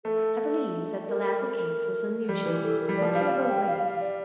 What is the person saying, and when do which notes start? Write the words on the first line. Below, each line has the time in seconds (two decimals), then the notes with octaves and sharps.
I believe that the Ladley case was unusual, in several ways.
0.05 A3 A4
1.08 A#4
2.29 G3
2.46 E3
2.63 A4
2.80 A#4
2.89 G3
2.98 F3 D5
3.15 G3 F5
3.32 F5
3.49 G5
3.67 F5
3.84 F5
4.01 D5